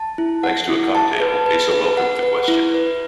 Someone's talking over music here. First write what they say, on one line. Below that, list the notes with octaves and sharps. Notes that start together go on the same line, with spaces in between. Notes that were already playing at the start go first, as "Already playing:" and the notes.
Thanks to a cocktail Asa welcomed the question.
Already playing: A5
E4
F#5
E4
A5
B4
B4
B4
F#5
B4
E4
B4